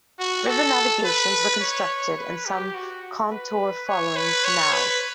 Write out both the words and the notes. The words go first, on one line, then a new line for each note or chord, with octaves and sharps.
River navigations were constructed, and some contour-following canals.
F#4
A4
B4
C#5
B4
G4
F#4
B4
C#5
B4
C#5
B4